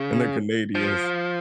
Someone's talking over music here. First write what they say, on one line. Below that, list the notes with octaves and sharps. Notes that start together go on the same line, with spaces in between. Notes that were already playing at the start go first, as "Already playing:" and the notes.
and they're Canadians.
Already playing: C#3
F3